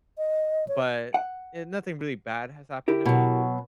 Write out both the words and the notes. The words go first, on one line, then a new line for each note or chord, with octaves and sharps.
but, eh, nothing really bad has happened to me.
D#5
C#5
F#5
E4 G4 A#4
B2 F#3